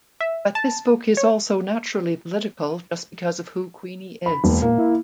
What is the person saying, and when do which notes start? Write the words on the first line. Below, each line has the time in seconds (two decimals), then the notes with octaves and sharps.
But this book is also naturally political just because of who Queenie is.
0.20 E5
0.55 A5
1.17 C#5
4.26 B5
4.44 E1 A#3
4.62 A#2 A#3
4.78 E4